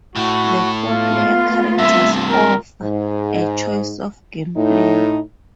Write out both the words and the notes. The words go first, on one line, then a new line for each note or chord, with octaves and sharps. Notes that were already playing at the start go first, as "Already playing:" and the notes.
The four player characters offer a choice of gameplay.
A2 F#4
A3 B3 F4 F5
G2 C3 E5
A#4
G#2
A2 D#4